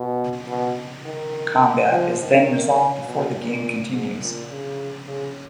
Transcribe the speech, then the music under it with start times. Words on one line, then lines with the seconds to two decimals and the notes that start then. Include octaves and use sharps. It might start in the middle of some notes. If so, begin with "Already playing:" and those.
Combat is then resolved before the game continues.
Already playing: B2
0.48 B2
1.05 D#3
1.91 F3
2.20 D#3
3.05 B2
3.34 A#2
3.92 G#2
4.21 A#2
4.50 C#3
5.07 C#3